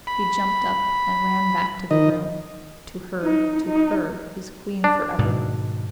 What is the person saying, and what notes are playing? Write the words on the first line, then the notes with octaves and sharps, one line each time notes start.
He jumped up and ran back to the room--to her, to her, his queen for ever!
B5
D#3 D#5
D#4
D#4
D4
G#2 B2 D#3